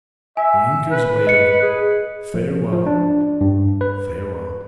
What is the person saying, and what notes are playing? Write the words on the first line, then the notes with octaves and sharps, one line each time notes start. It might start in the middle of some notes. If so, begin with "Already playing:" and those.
"The anchor's weighed, farewell, farewell!"
E5 G#5
B4
D#5 C#7
G#4
F3
F3
D4
G2
B4